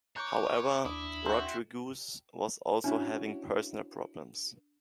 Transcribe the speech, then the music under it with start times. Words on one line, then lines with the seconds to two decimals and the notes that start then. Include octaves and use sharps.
However, Rodriguez was also having personal problems.
0.16 C#5 A#5 D6 F#6 G6
0.85 D#2 D4 E4 D#6
1.25 C4 F#4 E5
2.84 C#4 D4 E4 F#4